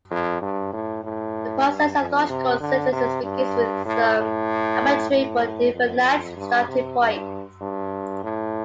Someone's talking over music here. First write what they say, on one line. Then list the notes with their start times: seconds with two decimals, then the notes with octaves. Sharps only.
The process of logical synthesis begins with some arbitrary but definite starting point.
0.11 F2
0.42 G2
0.73 A2
1.03 A2
1.67 G2
1.98 F2
2.29 C3
2.61 D3
2.92 C3
3.23 G2
3.86 A2
4.18 A2
5.11 A2
5.74 F2
6.36 G2
6.68 C3
6.99 G2
7.61 G2
8.23 A2